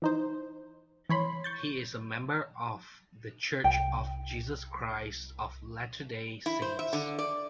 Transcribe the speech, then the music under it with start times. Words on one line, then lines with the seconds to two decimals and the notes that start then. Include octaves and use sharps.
He is a member of the Church of Jesus Christ of Latter-day Saints.
0.02 E3 D#4 C5
1.10 E3 C#5 B5 C6
1.44 C#6 G6 A6
3.64 C2 G5
6.46 E4
6.62 C5
6.79 E5
6.93 D3
7.19 D5